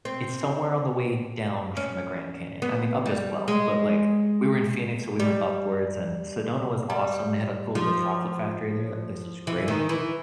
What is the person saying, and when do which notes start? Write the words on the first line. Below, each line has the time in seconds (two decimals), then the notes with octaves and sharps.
it's somewhere on the way down from the Grand Canyon, I mean, up as well, but, like, we were in Phoenix, so we went upwards, and Sedona was awesome, they had a cool little chocolate factory there, that place was great.
0.05 C4
1.77 C#4
2.62 B3
3.06 G3
3.48 G#3
5.20 G3
6.90 G3
7.75 F3
9.47 E3
9.68 D#3
9.89 E3